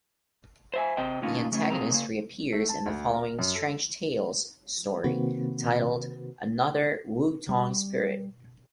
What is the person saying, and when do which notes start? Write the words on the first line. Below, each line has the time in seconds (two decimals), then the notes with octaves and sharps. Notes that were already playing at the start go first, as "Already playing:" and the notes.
The antagonist reappears in the following "Strange Tales" story titled "Another Wutong Spirit".
0.74 C5 E5 G#5
0.97 C3 C4 C5 D#5 G5
1.22 A2 D3 A#3 C#4 D#4 F4
1.52 C#3 A3 C#4
1.70 A#2 G#3 C4 A#5
1.91 C#3 A#3
2.53 A3
2.69 A5
2.86 D2
3.13 A#4
3.39 F#2
3.55 A4
5.04 C3 D#3 A#3 C4 F#4 B4
7.49 G3